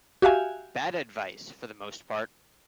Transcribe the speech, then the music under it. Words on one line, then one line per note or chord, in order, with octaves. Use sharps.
Bad advice for the most part.
F#4 G4 E5 F5 G#5